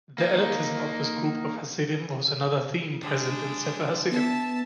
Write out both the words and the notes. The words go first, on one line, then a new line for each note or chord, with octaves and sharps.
The elitism of this group of Hasidim was another theme present in Sefer Hasidim.
A#3 D#4
G#3 D4
B3 E5 A5